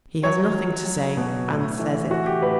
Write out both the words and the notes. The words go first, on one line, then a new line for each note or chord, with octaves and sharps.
He has nothing to say and says it.
F#3 C#5
F#3
F#3
B2
A2
E3
E3 F#4
G4
A2 B4